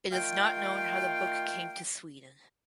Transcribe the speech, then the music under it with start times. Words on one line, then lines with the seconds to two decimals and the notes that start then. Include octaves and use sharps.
It is not known how the book came to Sweden.
0.12 D#3 A3 F4 F5 G5